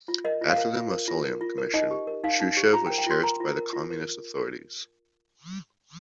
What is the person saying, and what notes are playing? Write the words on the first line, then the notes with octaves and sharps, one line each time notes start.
After the mausoleum commission, Shchusev was cherished by the Communist authorities.
F4
A#4 D#5
F4
F5
A#4
F4
A#4
F4
A#4
F4
A#4
D#4 D#5
G4
A#4
D#4 F5
D#4
G4
F4 A#5
G5
A#4
G5
F4 C6
A#4 A#5
F4
A#4
F4
A#4